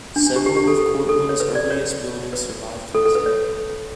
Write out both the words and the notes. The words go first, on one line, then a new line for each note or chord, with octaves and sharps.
Several of Courtland's earliest buildings survive to this day.
D4
D4
G4
G4
G4
A4
A4
A4
C#5
B4
D5
C#5
B4
A4
A4
B4
C#5